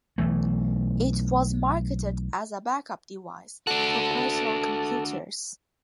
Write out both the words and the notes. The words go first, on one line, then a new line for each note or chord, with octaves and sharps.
It was marketed as a backup device for personal computers.
B1 E3 A3
D4 F#4 A4